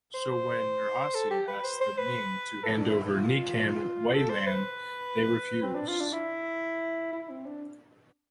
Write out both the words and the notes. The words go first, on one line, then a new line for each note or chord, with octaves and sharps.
So when Nurhaci asked the Ming to hand over Nikan Wailan, they refused.
C5
A4
G4
B4
C5
C5
B4
A4
D4
E4
F4
A4
C5
B4
C4
D4
F4
D4
E4
E4
C4
D4